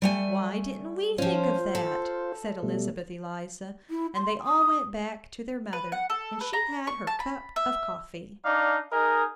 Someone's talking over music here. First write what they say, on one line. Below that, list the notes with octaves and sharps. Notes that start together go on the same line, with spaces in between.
"Why didn't we think of that?" said Elizabeth Eliza; and they all went back to their mother, and she had her cup of coffee.
G3 A3 G#5
F3 C#4 F4 C5
A4
B2 G3 A3
E4
C6
D#6
B4
F#5
A4
B4
A#5
C#6
A5
B5
E5
D4 D#4 D5 F5
D#4 G#4 A#4 D#5